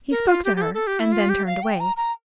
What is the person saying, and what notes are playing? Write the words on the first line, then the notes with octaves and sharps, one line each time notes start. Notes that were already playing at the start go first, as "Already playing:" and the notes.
He spoke to her, and then turned away.
A#4
F4
G4
G4
A4
A4
G4
E4
F4
G4
F5
G5
A#5
A#5